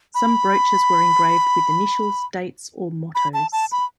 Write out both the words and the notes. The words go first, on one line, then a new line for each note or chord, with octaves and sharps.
Some brooches were engraved with initials, dates or mottoes.
B5
B5
A5
A5
B5